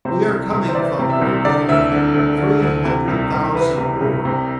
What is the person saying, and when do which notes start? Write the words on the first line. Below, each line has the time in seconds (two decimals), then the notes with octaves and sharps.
"We are coming, Father Abraham; Three hundred thousand more."
0.05 C3 C5
0.28 C2
0.52 C2
0.68 C5
0.75 E3 D5
0.99 C3
1.10 E5
1.22 C2
1.45 D3 D5
1.69 D2 E5
1.92 D3
2.14 D2
2.38 D3
2.62 D2
2.85 C3
3.08 C2
3.31 C2
3.54 E3 B4
3.78 C3
4.01 C2
4.25 C3